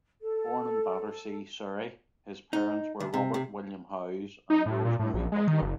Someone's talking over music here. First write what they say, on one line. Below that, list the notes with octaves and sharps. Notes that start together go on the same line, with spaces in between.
Born in Battersea, Surrey, his parents were Robert William Howes and Rose Marie Butler.
A4
D#4
D2
C3
C3
D#4
A2
A#2
A2
A#1
G#3
D#3
F#1